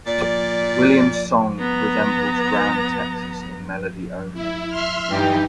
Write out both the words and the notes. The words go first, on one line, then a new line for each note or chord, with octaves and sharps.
Williams' song resembles "Grand Texas" in melody only.
A#2 D5
B3 A#5
E4
E5 C6 F6
G2 E3 D#4 G4